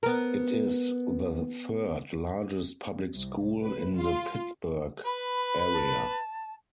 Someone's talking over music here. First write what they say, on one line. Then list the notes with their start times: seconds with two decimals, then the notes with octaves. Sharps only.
It is the third largest public school in the Pittsburgh area.
0.03 B3 A#4
3.15 C2
3.62 B4
3.96 F4
5.05 B4 B5
5.73 A5